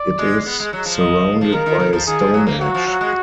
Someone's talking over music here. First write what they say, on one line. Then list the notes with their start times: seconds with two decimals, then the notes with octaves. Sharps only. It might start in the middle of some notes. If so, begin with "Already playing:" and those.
It is surrounded by a stone hedge.
Already playing: D5
0.18 G#3
0.46 B3
0.60 G#3
0.73 F#3
0.85 F3
1.00 D#5
1.41 F3
1.53 D#3 A#4
1.66 D#3
1.80 D#3
1.93 F3
2.07 D#3 G#4
2.20 F3
2.34 F#3
2.47 A#3
2.60 F#3 F#4
2.74 F3
2.87 F#3
3.01 G#3